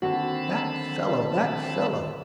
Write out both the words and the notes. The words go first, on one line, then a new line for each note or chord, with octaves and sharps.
That fellow--that fellow!'
D#2 D3 C4 F#4 A5 B5